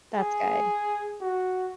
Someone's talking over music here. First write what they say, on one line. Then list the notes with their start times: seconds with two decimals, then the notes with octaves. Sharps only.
That's good.
0.17 G#4
1.21 F#4